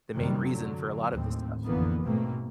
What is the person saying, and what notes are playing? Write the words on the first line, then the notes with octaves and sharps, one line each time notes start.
the main reason for a lot of this stuff.
F#2 C3 D#3 G3
D3 F#3
D#2 A2 C4
A1 F2 D3 E3 A#3 B3
G#2 B2 A3 A#3 C4